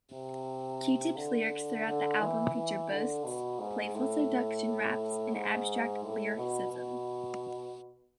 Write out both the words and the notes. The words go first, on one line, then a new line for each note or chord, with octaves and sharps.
Q-Tip's lyrics throughout the album feature boasts, playful seduction raps, and abstract lyricism.
C3
D3
D3
E3
E3
D3
B2
G#2
A2
G#2
A2
B2
B2